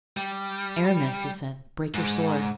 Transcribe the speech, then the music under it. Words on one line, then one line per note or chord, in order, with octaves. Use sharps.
"Aramis," he said, "break your sword."
G3
G#2